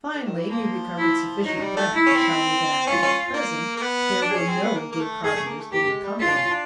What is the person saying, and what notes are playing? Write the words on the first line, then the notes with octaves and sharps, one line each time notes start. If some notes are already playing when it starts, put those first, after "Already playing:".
Finally, he recovered sufficient breath to tell me that at present, there were no good carpenters in the company.
D3
D#3
E3
F3 A#3
E4
F#3 D#4
G3
A3
E4
C#4
C4
C#4 F4
C#4
A#3
A#3
B3
D4
G#4
C#4
C4
B3
A#3
A#3
A3
A3 G#4
A3
A#3
A3
A#3 G4
G#3
G3
G#3 F4
D4
C#4
D4